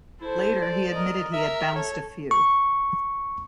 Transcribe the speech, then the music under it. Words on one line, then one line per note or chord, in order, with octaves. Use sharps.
Later, he admitted he had bounced a few.
E4 A4 C5
D5
A#4 D#5
A#4 E5
A4 C#5
C#6